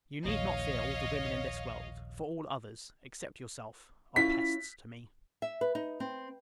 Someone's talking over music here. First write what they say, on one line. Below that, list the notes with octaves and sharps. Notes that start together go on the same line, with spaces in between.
You need not fear all the women in this world; for all others, except yourself, are pests to me.
A#1 D#2 C#5 D#5 F5
C#4 E4 F4 B6
E5
B4
D#4
C4